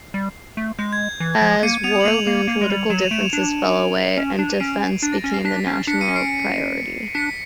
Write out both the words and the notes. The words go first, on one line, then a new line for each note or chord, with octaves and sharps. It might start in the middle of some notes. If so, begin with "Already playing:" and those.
As war loomed, political differences fell away and defense became the national priority.
Already playing: C7
G3
A3
G#3 G6
G#6
E3
F3
A#3 C#7 D#7
B3 D#7 F7
F#7
A#3 D#7 F7
A#3
A#3
G#3
G3
F#3 E7 F#7
D#7 F7
A3 D7 E7
D#7 F7
D4 D7 E7
C#4
D4
D#7
C#4 C7 D7
D4 A6
A#6
C#4 A6
C7
D4 B6
C#4
D4 B6 C#7
C#7 D#7
C#4
C7 D7
D4 B6 C#7